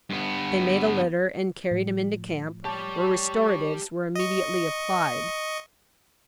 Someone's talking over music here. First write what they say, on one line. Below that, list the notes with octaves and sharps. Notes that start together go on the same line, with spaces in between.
They made a litter and carried him into camp, where restoratives were immediately applied.
G2 B3
A2 F3
G4 C#5 D5 A5
D#5 C#6